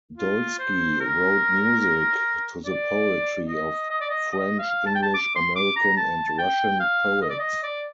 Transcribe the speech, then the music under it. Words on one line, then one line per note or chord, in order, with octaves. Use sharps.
Dolsky wrote music to the poetry of French, English, American, and Russian poets.
F4
C5
A#4
D5
D#5
D#5
D5
D#5
D#5
F5
A5
G5
A5
D6
C6
D6
A#5
A5
A5
G5
F5
D#5
D5
D#5
D5